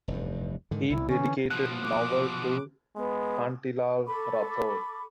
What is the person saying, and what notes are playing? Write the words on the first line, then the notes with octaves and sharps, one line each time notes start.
He dedicated novel to Kantilal Rathod.
F1 E2 G2
G#2 D3 D#3
C2 E4
D3 E3 C#4
B2 F3 F#6
D6
G#3 B3
A4 B5 C#6 D6